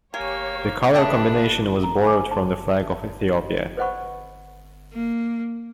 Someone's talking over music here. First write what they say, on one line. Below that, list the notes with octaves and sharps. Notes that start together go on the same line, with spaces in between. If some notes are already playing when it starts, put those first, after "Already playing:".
The colour combination was borrowed from the flag of Ethiopia.
A#3 G4 C#5 G#5
A3 D4 G4 A4 B4 D#5 G5
A#5
G#5 D6
A5
B4 C5 D#5 F#5 B5 C#6
A#3